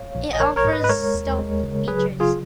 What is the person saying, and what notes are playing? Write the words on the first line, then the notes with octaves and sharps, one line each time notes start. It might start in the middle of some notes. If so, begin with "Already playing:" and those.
It offers stealth features.
Already playing: C#5 F5
A#1
D#5
A#1 A#4 C#5
A#4 C#5
G#2
B4 D#5
B4
G#3 A#4 C#5
D#2
G#3
C#3
F#3 G#4 B4
C#3
F4 G#4